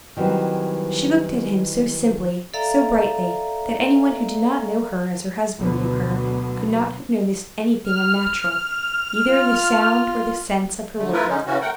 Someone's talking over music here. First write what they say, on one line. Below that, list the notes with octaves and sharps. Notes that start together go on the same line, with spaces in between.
She looked at him so simply, so brightly, that anyone who did not know her as her husband knew her could not have noticed anything unnatural, either in the sound or the sense of her words.
D#3 E3 F#3 G3 C4
A4 D5 E5 F5 A#5
D2 B2 D3 F#3 B3
F6
F4
D3 A3
A3 E4 F4 A#4 B4
D3 G#3 C#4 D#4
C#3 E3 C#4 F#4
A3 A#4 F#5 G5